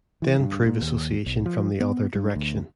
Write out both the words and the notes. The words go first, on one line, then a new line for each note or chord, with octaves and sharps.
Then prove association from the other direction.
E3
G2
A#2
D#2
B1
F3
B3
G2
D2